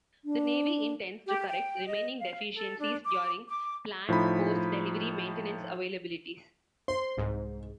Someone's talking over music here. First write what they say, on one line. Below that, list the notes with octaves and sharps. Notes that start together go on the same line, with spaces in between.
The Navy intends to correct remaining deficiencies during planned post-delivery maintenance availabilities.
D4
G4
G5
D#5
F5
A4
D4
D6
D6
A2 F3 D#4 B5
C5 C6
C2 G#2